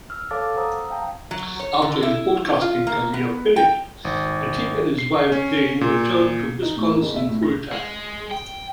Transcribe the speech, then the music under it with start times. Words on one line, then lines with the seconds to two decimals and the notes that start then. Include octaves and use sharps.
After his broadcasting career finished, Pettit and his wife Jane returned to Wisconsin full-time.
0.10 E6 F6
0.31 A4 C#5 F5 A5 D6 A6
0.56 C5 F#5 A#5 D#6 E6
0.90 F5 G5 A5 A#5
1.31 F#3
1.60 C#5
1.82 D3
2.03 E4
2.61 F4
2.87 A#3
3.14 B3
3.56 G5
4.05 G#1
4.98 C7
5.32 C#4
5.81 A#2
6.63 D#4
6.77 A2
6.89 A#3
7.02 F#1
7.16 E5
7.29 A2
7.43 A#6
7.72 G#3
8.31 G5